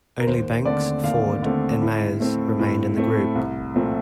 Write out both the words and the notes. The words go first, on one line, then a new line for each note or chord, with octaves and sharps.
Only Banks, Ford and Mayes remained in the group.
A#4
D#2 C5
D3 A3 C4 D5
D#2 F5
D3 A3 C4
A2
A3 C4
A2
A3 C4
C2
A#2 F3 A3 C4